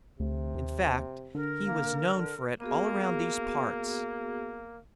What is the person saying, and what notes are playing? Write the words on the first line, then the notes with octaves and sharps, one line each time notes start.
In fact, he was known for it all around these parts.
D2 C3
D#2
D3 A#4
A#3
D3
A#3 B3 F#4 G#4